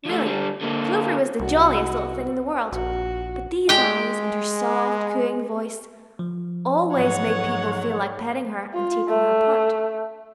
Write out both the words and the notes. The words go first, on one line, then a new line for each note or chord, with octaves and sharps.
Really, Clover was the jolliest little thing in the world; but these eyes, and her soft cooing voice, always made people feel like petting her and taking her part.
F3 A3
D3 G3
D3 A#3
C2 F#4
A#1 F#4
G#3 G4 G5
F3
G#2 F#3 C#5 F#5
F4
A3